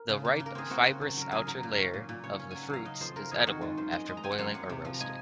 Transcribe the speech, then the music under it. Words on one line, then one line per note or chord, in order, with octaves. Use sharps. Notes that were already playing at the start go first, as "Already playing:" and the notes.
The ripe fibrous outer layer of the fruits is edible after boiling or roasting.
Already playing: A#4
C#3
A#3
C#3
A#4
C4 G#4
C4 F#4
C#3
F#3
F#3 A#4
F#2 G#4
F#3 A#4
A#2
C#4
A#2
A#2
C#3 C#5
C#4
F#3 G#5
F#5
F#3 F5
C#3 D#5
F2 C5
C#3 A#4
F2 G#4
D#3 F#4
G#3 F4
F#2 C5
G#3 D#5
G#3
A#5
C4 G#5
F#5
F#2 F5
F#2 F#5
C3 F#5
F3
A#5
G#3 G#5